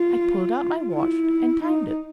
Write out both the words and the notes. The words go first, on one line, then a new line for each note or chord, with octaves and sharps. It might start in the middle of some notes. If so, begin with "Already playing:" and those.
I pulled out my watch and timed it.
Already playing: F4
E4
D#4